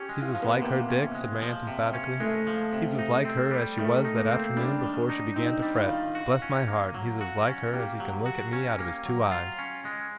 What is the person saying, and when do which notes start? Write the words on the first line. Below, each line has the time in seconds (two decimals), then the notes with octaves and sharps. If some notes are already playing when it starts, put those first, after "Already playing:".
'He's as like her, Dick,' said my aunt, emphatically, 'he's as like her, as she was that afternoon before she began to fret--bless my heart, he's as like her, as he can look at me out of his two eyes!'
Already playing: C#4 G4
0.09 G#3
0.22 F4
0.35 F3
0.42 B3
0.62 C3 A#3
0.89 C#4
1.15 G#3
1.41 F3
1.67 C3
1.93 C#4
2.20 G#3 A3
2.47 F3
2.73 C3
2.99 D#4
3.25 C4
3.51 G3
3.78 D#3 A3
4.05 D#4
4.17 A#3
4.31 C4
4.57 G3 D4
4.83 D#3
5.10 D#4
5.36 C4 D#4
5.62 G3
5.76 F4
5.89 D#3
6.15 F#4
6.42 C#4
6.68 A#3
6.95 F#3
7.21 F#4
7.47 C#4
7.73 A#3 G4
8.00 F#3
8.26 F#4
8.53 C#4
8.78 A#3
9.05 F#3
9.32 F4
9.59 C#4
9.85 G#3